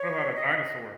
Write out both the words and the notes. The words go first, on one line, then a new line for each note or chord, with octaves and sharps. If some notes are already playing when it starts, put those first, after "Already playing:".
What about a dinosaur?
Already playing: C#5
D#5